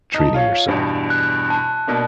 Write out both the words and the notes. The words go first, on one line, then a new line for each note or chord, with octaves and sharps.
Treating yourself?
D#4 A5
F4 C#5 F5
E2 G2 B2
F#6
A5
B2 A#3 D4